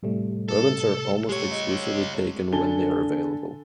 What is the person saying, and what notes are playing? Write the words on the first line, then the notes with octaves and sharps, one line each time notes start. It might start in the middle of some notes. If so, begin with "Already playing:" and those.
Rodents are almost exclusively taken when they are available.
A2 C3 G3 A3
A4
G#3 G4 C#5
D#5
D3 G#5 A5 G7